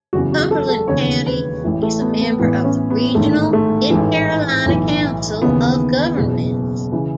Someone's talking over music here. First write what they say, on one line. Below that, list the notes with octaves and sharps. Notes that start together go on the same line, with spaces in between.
Cumberland County is a member of the regional Mid-Carolina Council of Governments.
F#1 E2 C#3 F#4
F#4
A4
A4
E1 D#2 C#3 C#5
B4
A1 A2 E3
A3
B3
B3
A1 A2 E3 B3
C#4
B3
A1 G#2 D#3 A3
A3
A1 G#2 E3
B1 A2 E3
D#2 C#3 E3 B3
F#1 E2 B2
C#3 E3